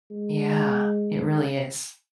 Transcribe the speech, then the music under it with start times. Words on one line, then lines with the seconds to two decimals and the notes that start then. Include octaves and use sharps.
Yeah. It really is.
0.11 G#3